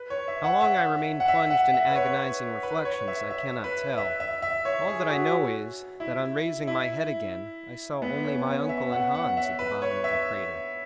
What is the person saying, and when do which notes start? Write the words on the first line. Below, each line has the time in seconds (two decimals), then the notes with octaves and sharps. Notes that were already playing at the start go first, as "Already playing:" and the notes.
How long I remained plunged in agonizing reflections I cannot tell; all that I know is, that on raising my head again, I saw only my uncle and Hans at the bottom of the crater.
Already playing: B4
0.10 C#5
0.28 E5
0.44 F#5
0.61 E5
1.20 F#5
1.28 E5
1.50 F#5
1.74 E5
1.89 B4
1.95 C#5
2.63 B4
2.85 C#5
3.08 E5
3.31 E5
3.64 B4
3.98 E5
4.20 E5
4.42 E5
4.65 C#5
4.88 G#4
5.10 F#4
6.00 E4
6.67 E4
8.02 B3
8.25 C#4
8.47 C#4
8.69 E5
8.92 F#5
9.14 F#5
9.37 E5
9.59 B4
9.82 C#5
10.04 E5